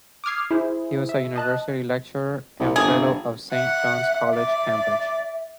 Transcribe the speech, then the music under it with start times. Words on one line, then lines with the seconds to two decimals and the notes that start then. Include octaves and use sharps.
He was a University Lecturer and Fellow of Saint John's College, Cambridge.
0.24 D6 D#6 F6 G#6 C7
0.51 E4 G#4 C5
1.09 E5
1.36 D#5 A5 F#6
2.59 C2
2.76 G1 G#4
3.52 E5 F#5
4.34 D5